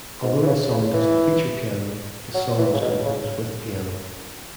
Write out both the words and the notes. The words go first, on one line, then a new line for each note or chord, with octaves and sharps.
Although the song doesn't feature piano, the song was composed with piano.
G#2
E3
C#3
C#3
E3
F#3
E3
C#3
B2
C#3